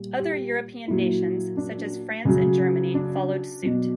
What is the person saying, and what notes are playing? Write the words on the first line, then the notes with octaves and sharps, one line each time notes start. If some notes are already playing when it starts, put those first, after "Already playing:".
Other European nations, such as France and Germany, followed suit.
Already playing: A#2 G3
G4
A#2 F#3 E4
D4
C#3 F#3
D4
B2 F#3